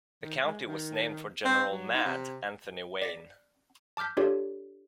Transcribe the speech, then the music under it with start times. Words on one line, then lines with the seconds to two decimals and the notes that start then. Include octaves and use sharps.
The county was named for General "Mad" Anthony Wayne.
0.23 D#3
0.44 G#3
0.66 D#3
1.45 C4
1.69 F#3
1.94 D#4
2.05 C3
3.02 D5 A#6 B6
3.97 A5 D6 F6 G6 B6
4.17 D4 F4 G4 A4 C#5 D5